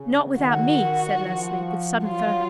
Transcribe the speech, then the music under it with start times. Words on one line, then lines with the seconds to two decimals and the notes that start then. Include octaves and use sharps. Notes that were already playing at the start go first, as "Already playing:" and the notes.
"Not without me," said Leslie with sudden firmness.
Already playing: C#3
0.39 D#3 F#4
1.22 F3
2.04 F#3 F4